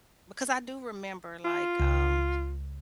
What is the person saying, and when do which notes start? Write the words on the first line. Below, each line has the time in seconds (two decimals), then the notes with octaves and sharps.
because I do remember, like, um,
1.45 F4
1.80 C#2